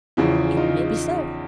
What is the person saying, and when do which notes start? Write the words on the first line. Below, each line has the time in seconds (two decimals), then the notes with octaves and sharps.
It may be so.
0.17 E2 C#3 F3 E4
0.57 D#4 F4